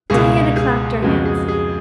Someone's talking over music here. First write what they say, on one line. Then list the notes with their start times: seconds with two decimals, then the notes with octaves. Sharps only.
Diana clapped her hands.
0.10 C#2 B2 A#3 G#4
0.56 G#4
1.02 F2 C#3 G#3 B3 F#4
1.25 G#4
1.48 G#4